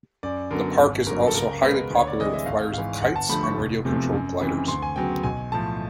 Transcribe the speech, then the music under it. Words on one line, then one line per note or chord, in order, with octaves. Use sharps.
The park is also highly popular with flyers of kites and radio-controlled gliders.
F#2 D5
D3 F#3 B3 A#4
G#1
G2 D3 F#3 A#3 A#4
A4
C#2 A#4
B2 G#3 B3 B4
D2 C#5
D5
C3 E3 G#3 D#5
E5
G#1 F5
G#2 E3 F5
G1 F#5
A5
G2 D3 F3 A3 B5
C#6
F1
E2 C3 F3 A3
F#2
C#3 E3 G#3 C4
D2 C6
G#5
C#3 F#3 B3 G5
B1 G#5
A2 F3 A5